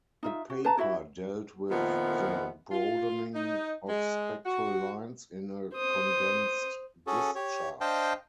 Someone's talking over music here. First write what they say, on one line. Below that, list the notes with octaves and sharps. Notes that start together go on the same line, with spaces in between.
The paper dealt with the broadening of spectral lines in a condensed discharge.
D#4 F4 E5
F#4
B4 A5 A#5
E4 F#4 E5 B5
F2 A#2 D#3 F3 B3 E4
F4
D#4
G#3
F#4
C5 D#6
C#4 F#4 G#4 A4
G4 C#5
D4 C5 D#5 F5 G5 A5